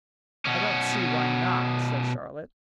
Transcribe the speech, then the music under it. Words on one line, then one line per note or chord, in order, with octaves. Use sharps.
"I don't see why not," said Charlotte.
B2 C#4